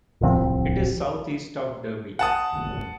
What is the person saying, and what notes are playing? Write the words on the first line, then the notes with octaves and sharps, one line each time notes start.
It is south east of Derby.
D1 C2 F3 C4
F#5 A5 D#6